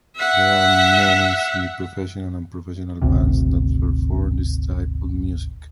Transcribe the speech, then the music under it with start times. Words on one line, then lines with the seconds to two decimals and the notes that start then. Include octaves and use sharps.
There are many semiprofessional and professional bands that perform this type of music.
0.17 E5 F#5
3.02 G#1 D2 C3